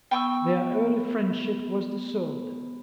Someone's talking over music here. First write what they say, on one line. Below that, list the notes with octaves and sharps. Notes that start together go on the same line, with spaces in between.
Their early friendship was dissolved.
B3 G5 B5 C#6 E6